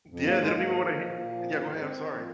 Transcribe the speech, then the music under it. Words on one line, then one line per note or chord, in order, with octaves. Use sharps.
Yeah, they don't even want to hit yeah, go ahead, I'm sorry.
F2
G#2 A#3
G#2 G#3
G#2 A#3
D#3
F3
A#2
A#2
F3
G#2
G#2
D#3 C4
D#3
F3